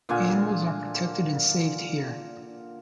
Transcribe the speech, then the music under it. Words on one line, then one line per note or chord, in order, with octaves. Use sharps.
Animals are "protected and saved" here.
A#2 D3 F4 G#5